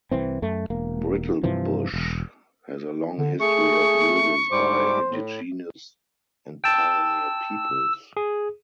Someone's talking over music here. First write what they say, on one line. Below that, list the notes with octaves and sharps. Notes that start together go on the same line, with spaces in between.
Brittlebush has a long history of uses by indigenous and pioneer peoples.
C2 E3 C4
F#2 A3
E1 A#3
G2 C3 E3 F3
E1
D3
A3 G#4 C#6
G#2 G3 C5 D6
A2
G5 A5 E6
G#4